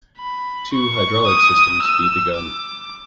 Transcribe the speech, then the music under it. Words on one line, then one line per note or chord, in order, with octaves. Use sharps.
Two hydraulic systems feed the gun.
B5
C#6
D#6
E6
D6